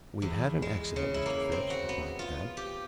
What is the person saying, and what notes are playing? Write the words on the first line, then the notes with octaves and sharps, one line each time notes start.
"We've had an accident, Mr. Phipps," replied Tad.
E2
G#3
C#3
E4
A#3
C4
F#4
B3
F4
G4